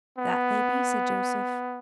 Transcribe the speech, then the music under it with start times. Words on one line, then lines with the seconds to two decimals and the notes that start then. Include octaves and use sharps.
"That they be," said Joseph.
0.18 B3